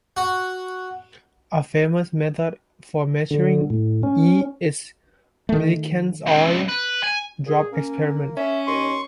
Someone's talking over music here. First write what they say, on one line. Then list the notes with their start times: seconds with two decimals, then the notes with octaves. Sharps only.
A famous method for measuring "e" is Millikan's oil-drop experiment.
0.17 F#4
3.31 D3
3.70 A2
4.03 C#4
5.49 D#3 A3
6.26 C#2 C3
6.68 B4
7.03 G#5
7.46 A#2 G#4
7.73 A#3 C#4
8.37 C#4 E5
8.67 D#2 D#5 C6 C#6